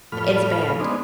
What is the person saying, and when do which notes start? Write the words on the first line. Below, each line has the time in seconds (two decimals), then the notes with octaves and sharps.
it's banned.
0.12 F2 A2 B5 F6
0.80 G#3 B3 C4 D4 D#4